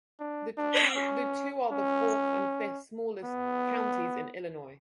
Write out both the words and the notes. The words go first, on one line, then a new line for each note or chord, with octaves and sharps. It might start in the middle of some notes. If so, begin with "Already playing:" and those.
The two are the fourth and fifth smallest counties in Illinois.
D4
D4
C#4
C#4
B3